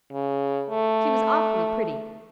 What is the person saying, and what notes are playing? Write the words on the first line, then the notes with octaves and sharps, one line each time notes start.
She was awfully pretty.
C#3
A3